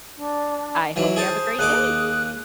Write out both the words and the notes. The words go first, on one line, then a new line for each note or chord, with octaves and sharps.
I hope you have a great day.
D4
E3 F#3 D#4
G#4 C5 A5
D#2 D#4 G#4 D6 F#6